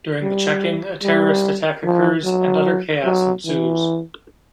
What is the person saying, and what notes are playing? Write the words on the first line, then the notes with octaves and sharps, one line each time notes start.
During the checking, a terrorist attack occurs and utter chaos ensues.
G3
G3
F3
F#3
F#3
E3